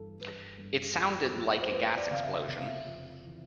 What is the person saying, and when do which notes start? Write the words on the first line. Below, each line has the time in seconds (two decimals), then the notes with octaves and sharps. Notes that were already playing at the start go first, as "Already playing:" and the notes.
It sounded like a gas explosion.
Already playing: G2 E3 A4
0.20 G2 B4
0.58 G2
0.96 F2
1.35 F2
1.62 C5
1.72 F2 B4
1.97 D5
2.10 C#3 F5
2.23 E5
2.48 C3 E5
2.57 F5
2.67 E5
2.86 F2
3.25 E3